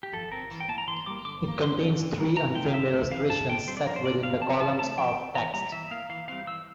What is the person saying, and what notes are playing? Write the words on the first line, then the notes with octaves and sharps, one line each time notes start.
It contains three unframed illustrations set within the columns of text.
G4
F3 A4
C4 A#4
E3
G5
A#3 A5
A#5
E3 C6
G3 A#3 D6
D3 D6
G3
A#3
D3 C6
F3 C4
E3
G3 A#3
D3 A#5
A3 C4 G5
D3 E5
A3 C4
E3 F5
A#3 A5
D3 G5
G3 C4 C5
D5
F3 A#4
C5
A#3 D5
D3 F5
F3 C4 A5
E3 A5
A3 C4 A5
F3 G5
C4
E3 A#5
G3 A#3 A#5
E3 E5
A#3 F5
E3 F5
G3 C4 F5
E3 E6